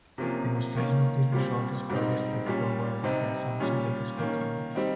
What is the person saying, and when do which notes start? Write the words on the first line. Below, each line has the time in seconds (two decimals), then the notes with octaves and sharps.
Demonstration of this result is fairly straightforward under the assumption that is continuous.
0.18 C3 F3 A#3 C#4
0.75 D#3 A#3 C#4
1.32 A#2 G3 C4
1.89 G#2 G3 C4 D#4
2.46 A#2 G3 C#4
3.03 C3 G3 C4 D#4
3.60 A#2 G3 C#4
4.18 D#3 A#3 C#4
4.75 G3 C4 D#4